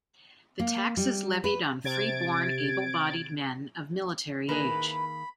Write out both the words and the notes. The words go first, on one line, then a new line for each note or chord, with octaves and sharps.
The tax is levied on free-born able-bodied men of military age.
A#3
G3
B4
C3 G#6 A6 D7
D#3 A#3 E4 G#4 B4 A#5 B5